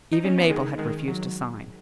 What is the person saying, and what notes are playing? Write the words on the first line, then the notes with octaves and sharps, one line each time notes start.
Even Mabel had refused to sign.
D#4
C#4
B3
D#3 G#3
D#3 G#3
F#3